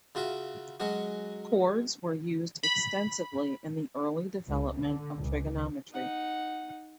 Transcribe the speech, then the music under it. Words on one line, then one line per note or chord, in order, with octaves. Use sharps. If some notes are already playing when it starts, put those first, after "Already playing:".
Chords were used extensively in the early development of trigonometry.
C#3 F4 F#4 E5
F#3 G#3 C#4 F#4
B5
C#2
D3
C#2
D#4 F#5